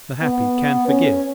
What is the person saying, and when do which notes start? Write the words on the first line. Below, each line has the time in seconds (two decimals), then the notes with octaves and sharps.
The happy can forgive.
0.22 B3
0.88 C#4